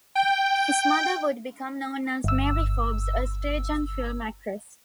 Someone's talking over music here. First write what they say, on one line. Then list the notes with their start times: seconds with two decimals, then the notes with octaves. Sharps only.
His mother would become known as Mary Forbes, a stage and film actress.
0.15 G5
2.24 G1 E6